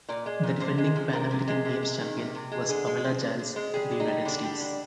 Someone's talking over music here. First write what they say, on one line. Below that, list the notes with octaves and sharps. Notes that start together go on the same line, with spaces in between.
The defending Pan American Games champion was Pamela Jiles of the United States.
A#2 D5
G#3
A#2
C3 C5
G#3
F3
C3 A#4
C3
G#3
C3
G#3
D#3
C3
C3
G#3
D3 G#4
G#3
F3
D3
D3
G#3
G3 G#4
D3
D#4
G3
D3 D4
G3
D3